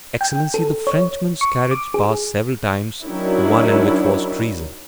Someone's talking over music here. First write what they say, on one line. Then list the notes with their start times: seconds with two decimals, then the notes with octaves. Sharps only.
"Excellency, the Frenchman's carriage passed several times the one in which was Teresa."
0.21 G5
0.54 A4
0.87 C#5
1.41 C#6
1.71 D6
1.94 G#4
3.04 D#3 F#3 C#4 D4 E4